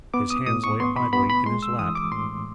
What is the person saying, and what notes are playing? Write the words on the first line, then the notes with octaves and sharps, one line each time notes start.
His hands lay idly in his lap.
B3 D6
D#6
A2 D#6
C#6
B3 C6
B5
B3 B5
B5
G#3 C6
E6
E3 D#6
D6
A2 C6